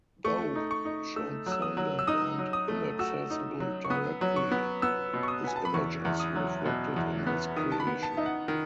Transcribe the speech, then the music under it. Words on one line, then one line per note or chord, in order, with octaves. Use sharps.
Though transcendent and inaccessible directly, his image is reflected in his creation.
A3 C#6
D#4
C#6
D#4
A3 E6
F#3
E6
D#6
F#3
E6
D#4 D#6
F#3
D#6
A3
F#4 E6
D#4
F#3
C#6
B3 D#6
F#3
C#6
B3
B3 E6
B2
C#6
D#6
B3 G#5
A5
B5
E2 C#6
E2
D#6
F#3
B2
E2
B3
D#3 D#6
A5
B5
B3
A5
D#4 E5
F#5
D#3